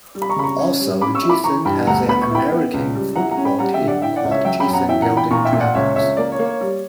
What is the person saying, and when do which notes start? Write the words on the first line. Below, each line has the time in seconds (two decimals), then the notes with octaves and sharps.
Also, Giessen has an American football team called Giessen Golden Dragons.
0.15 G3
0.22 B5
0.30 A#5 C#6
0.36 C#3 B5
0.44 A#5 C#6
0.59 C#4
0.80 G3
1.01 C#4 B5 D6
1.15 C#6 E6
1.23 E4
1.29 B5 D6
1.44 E3 A#5 C#6
1.65 G2 G5 B5
1.87 D2 F#5 A#5
2.08 B3 B5
2.21 C#6
2.31 E4 G5 B5
2.52 B3
2.73 C#2
2.95 G3
3.16 E4 F#5 A#5
3.31 F#5 A#5
3.37 C#4
3.45 G5 B5
3.59 G3 F#5 A#5
3.73 E5 G5
3.81 D3
3.87 D5 F#5
4.02 E4 E5 G5
4.16 D5 F#5
4.24 C#2
4.31 C#5 E5
4.45 F#3 E5 G5
4.60 G5 B5
4.67 F#2
4.73 F#5 A#5
4.88 E3 E5 G5
5.02 F#5 A#5
5.09 E3
5.17 G5 B5
5.31 A#2 A#5 C#6
5.45 E5 G5
5.53 A#2
5.60 D5 F#5
5.75 C#2 C#5 E5
5.96 C#2 C#5 E5
6.17 A#3 D5
6.32 C#5
6.39 A#3
6.46 C#5
6.61 G3